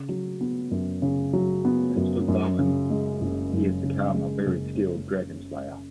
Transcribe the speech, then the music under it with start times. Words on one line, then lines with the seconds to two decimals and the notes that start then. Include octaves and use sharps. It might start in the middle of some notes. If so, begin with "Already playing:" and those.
As for Bowen, he has become a very skilled dragonslayer.
Already playing: C#3
0.09 F#3
0.41 B3
0.71 F#2
1.02 C#3
1.33 F#3
1.65 B3
1.97 F#2
2.28 F#2
2.59 C#3
2.90 G#3
3.21 F#1
3.53 F#2
3.83 C#3
4.14 G#3
4.46 F#1